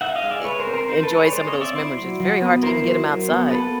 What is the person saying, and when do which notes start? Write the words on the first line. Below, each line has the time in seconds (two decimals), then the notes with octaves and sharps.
eh, e enjoy some of those memories, it's very hard to even get 'em outside.
0.01 D#4 E5 F#5
0.16 D#5 F5
0.23 G#3
0.31 D5 E5
0.45 G#3 B4 C#5
0.60 A#4 C5
0.66 C4
0.74 A#4 C5
0.88 D#4 A#4 C5
1.03 A4 B4
1.10 G#3
1.17 B4 C#5
1.32 G#3 C5 D5
1.46 C#5 D#5
1.54 C4
1.61 D5 E5
1.75 E4 C5 D5
1.98 F#3
2.20 F#3
2.42 B3
2.63 E4 A#4 C5
2.85 F#3
3.07 F#3
3.29 B3
3.50 A#3 A4 B4